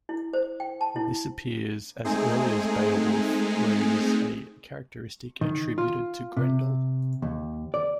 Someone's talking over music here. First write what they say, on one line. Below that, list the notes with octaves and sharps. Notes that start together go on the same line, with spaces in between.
This appears as early as Beowulf where it is a characteristic attributed to Grendel.
E4
C5
G5
A5
E4
G#3 A3 C4 D#4 G#4
D#3
F4
C3
D#2
D5